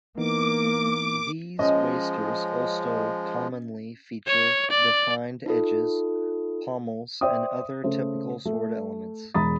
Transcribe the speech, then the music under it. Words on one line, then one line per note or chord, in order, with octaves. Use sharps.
These wasters also commonly feature defined edges, pommels, and other typical sword elements.
E3 A#3 B3 D#4 D6
F3 G#3 C#4 D#5
C#5
D5
D#4 F4 A4
C5 D5 E5 G5 D#6
C#3 A3 C5
A3
E1 G#3 A#5 B5 D#6 A6